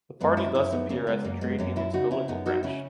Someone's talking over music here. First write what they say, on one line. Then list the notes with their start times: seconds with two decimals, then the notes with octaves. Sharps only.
The party thus appear as the trade unions’ political branch.
0.20 F#2 G#3 B3
0.37 C#4 E4
0.55 F#2 C#4 E4
0.72 B3 D#4
0.89 C#3 A#3 C#4
1.07 G#3 B3
1.24 F#2 A#3
1.41 G#3 B3
1.59 F#2 A#3 C#4
1.76 C#4 E4
1.93 C#3 D#4 F#4
2.11 C#4 E4
2.28 F#2 B3 D#4
2.46 D#4 F#4
2.63 C#3 C#4 E4